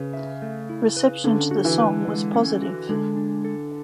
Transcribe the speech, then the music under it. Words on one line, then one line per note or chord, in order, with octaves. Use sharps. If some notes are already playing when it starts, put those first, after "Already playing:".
Reception to the song was positive.
Already playing: C#3 B4
E5
A3
E4
B4
D3 C#4
F#4
E3
B4
G#3
C#4
F#4
D3 G#3
D4
A4